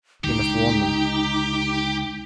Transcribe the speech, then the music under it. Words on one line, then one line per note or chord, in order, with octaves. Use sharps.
He must warn them.
C#2 D3 D#4 G4